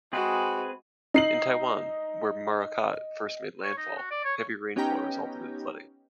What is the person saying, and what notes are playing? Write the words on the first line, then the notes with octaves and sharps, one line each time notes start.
In Taiwan, where Morakot first made landfall, heavy rainfall resulted in flooding.
G#3 C4 F#4 G#4 B4
D#4 D#5 C7 F#7
C#5
D#4
F#4
D5
C#5
C#5
B3 C#4 D#4 G4 G5 A#5